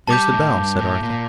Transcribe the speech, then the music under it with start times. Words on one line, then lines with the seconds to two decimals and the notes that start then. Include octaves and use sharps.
'There's the bell,' said Arthur.
0.07 G3 A5 D6 G6
0.32 A2
0.55 G2
0.79 A2
1.03 A#2